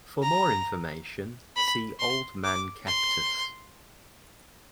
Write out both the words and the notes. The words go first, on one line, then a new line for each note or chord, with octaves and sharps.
For more information see Old-Man Cactus.
A#5
B5
C6
D6
C6